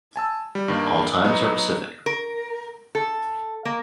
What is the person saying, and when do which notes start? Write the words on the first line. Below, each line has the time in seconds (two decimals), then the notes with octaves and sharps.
All times are Pacific.
0.16 G#5 A5 E6
0.55 G3
0.68 G2 D#3 A#3
1.24 F#3 B3 D#4
2.06 A#4
2.95 A4
3.65 A#3